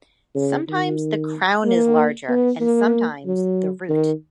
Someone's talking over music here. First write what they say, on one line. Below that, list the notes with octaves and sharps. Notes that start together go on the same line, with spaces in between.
Sometimes the crown is larger and sometimes the root.
C#3
D#3
A#3
B3
A#3
F#3
D#3